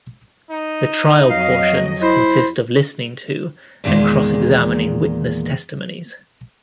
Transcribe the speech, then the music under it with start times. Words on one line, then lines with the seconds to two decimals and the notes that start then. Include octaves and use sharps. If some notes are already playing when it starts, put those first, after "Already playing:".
The trial portions consist of listening to and cross-examining witness testimonies.
0.50 D#4
1.30 F2 F#3 D#5 F5
2.02 E4 C5
3.84 E2 A#2 D3 D#3 G#3